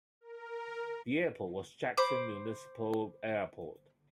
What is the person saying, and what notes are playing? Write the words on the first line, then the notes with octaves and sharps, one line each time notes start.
The airport was "Jackson Municipal Airport".
A#4
C5 B5 D6